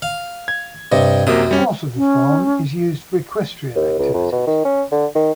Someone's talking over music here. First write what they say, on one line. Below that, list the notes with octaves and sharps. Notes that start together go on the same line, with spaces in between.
Part of the farm is used for equestrian activities.
F5
G#6
G2 C3 D#5
F#2 C3 A#3 D#6
G3 C#4
C#4
D#2
C#2
F2
B2
D#3
C#4
D3
D#3